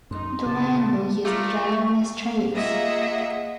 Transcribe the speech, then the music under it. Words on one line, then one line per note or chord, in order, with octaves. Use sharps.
The line will use driverless trains.
F#2 D#4 C6
A#2 C#3 A5
A3 F4 A#4 D5
C#6
A#3 F4 G#4 D#5 E5 F#5